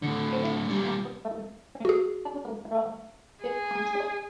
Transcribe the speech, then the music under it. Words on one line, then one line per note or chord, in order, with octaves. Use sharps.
Here is sample code to print "hello, world" to the console.
A2 D3
A#2 G3
F#4 G#4
G#4